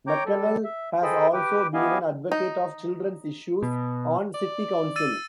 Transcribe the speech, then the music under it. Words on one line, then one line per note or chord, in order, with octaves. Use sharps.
McConnell has also been an advocate of children's issues on city council.
C#5 G5 A#5 D6 G6
G3 A4
E5
G#4 A4 C5 D#5 G5 B5
G4 B4 G5 D6
B3 E4 G4 D#5 F5 G#5
D#4
B2
D5
E6 A6 D#7